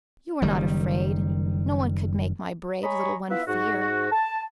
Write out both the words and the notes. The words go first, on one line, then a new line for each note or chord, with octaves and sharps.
"You are not afraid--no one could make my brave little one fear."
F#1 D#3 G3
C#5 D#5 G#5 A#5 B5 C#6
B3 E4 F4 B4 E5
G#2 F#4
A5